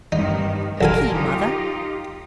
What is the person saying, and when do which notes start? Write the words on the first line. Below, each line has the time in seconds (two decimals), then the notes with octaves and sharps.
"The key, mother?"
0.12 G2 D#3 D#4
0.81 B1 F4 A4 A#4 G#5
1.12 D#4 F4 G4